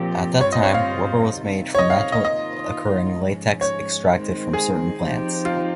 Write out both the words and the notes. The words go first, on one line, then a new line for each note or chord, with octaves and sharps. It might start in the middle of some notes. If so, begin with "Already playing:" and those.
At that time rubber was made from naturally occurring latex extracted from certain plants.
Already playing: A#2 F3 C4 G4
G2 G3 C4 F4 C5 C#5
D#5
C#5
F5
C3 D#3 G3
C#5
D#5
F5
F5
D#5
D#3 A#3 F4 D#5
G#2 F3 G#3 C#4
C#5
D#3 G#3 C4
G#4
F3 C4 D#4 G4
F4